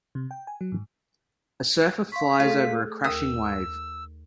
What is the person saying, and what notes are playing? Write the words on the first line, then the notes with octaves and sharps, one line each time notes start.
A surfer flies over a crashing wave.
C3
G5
G#5
F#3
G#2
F5 C6 C#6 B6
A3 F4 G#4 A4
D#2 A#4 D#6 E6